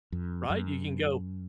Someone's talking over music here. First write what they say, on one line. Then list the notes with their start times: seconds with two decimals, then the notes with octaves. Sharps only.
Right? You can go
0.12 F2
0.50 F#2